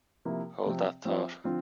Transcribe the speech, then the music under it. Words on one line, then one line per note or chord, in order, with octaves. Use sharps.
Hold that thought.
C3 F3 A#3 E4
C3 F3 C4
F3 C4 F4 C5 E5
D3 F3 C4 F4